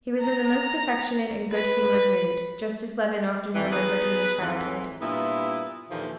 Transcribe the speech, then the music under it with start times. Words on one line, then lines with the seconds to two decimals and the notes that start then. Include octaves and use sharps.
He was in the most affectionate and good-humored mood, just as Levin often remembered him in childhood.
0.20 A#5
1.54 B4
3.55 F2 D#3 E3
3.71 B3 D#4 G#4 B4
4.41 F2 G#2 E3
5.01 G2 A#2 B3 E4
5.90 D#2 A#2 D3 E3 F3